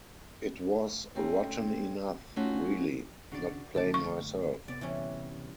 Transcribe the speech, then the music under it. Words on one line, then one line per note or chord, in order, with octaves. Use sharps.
It was rotten enough, really, not playing myself.
A3 C4 C#4
A3 C#4 D#4 F4 F#4
D#1 C#3 D4 F#4 D5
F#2 D3 D#3 A3 D5 A5
F4 C#6
D1 C3 B3 D5
E3 G3 C#4